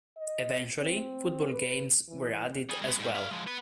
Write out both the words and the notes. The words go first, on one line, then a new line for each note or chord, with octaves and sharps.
Eventually, football games were added as well.
D#5
C4
B4
E3
G3 G#4
G#3 B3
G#2 G3
E4 F5
F3 G#3
B3 B4